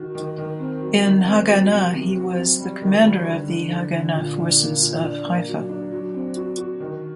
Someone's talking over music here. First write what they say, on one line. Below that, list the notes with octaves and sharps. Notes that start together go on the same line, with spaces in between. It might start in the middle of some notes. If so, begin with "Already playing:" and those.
In Haganah he was the commander of the Haganah Forces of Haifa.
Already playing: D#3 F#4
D#3
D#3
C4
F#3
D#3
C4
F#3
C3
C3
F#3
C4
G3
D#3
G3
D3
D3
D3
D3
A#2
D4
A#3
A#2
D4
A#3
F#3
D4
F#3
C4
F#4
F#4
D#3